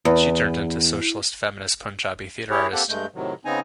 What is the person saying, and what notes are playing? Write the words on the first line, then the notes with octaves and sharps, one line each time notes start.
She turned into socialist feminist Punjabi theatre artist.
E2
E4 G4 G#4 C#5
A#3 C4 G4 A4 F#5
G2 G#3 A3 G6
A2 C3 D#3 F#3
C#3 B3 C4 D#4 G#5 A#5